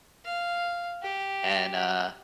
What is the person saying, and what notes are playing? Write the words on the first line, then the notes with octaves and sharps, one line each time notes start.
and, uh,
F5
G4